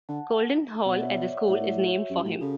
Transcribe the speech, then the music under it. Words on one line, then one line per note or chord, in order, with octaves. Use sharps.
Colden Hall at the school is named for him.
D3 F#5 A5
B2 D5 F#5
C#5 E5
B4 D5
C#5 E5
D5 F#5
A2 C#5 E5
C#5 E5
F#4
F#2 G4
A2
C#3 F#4 A4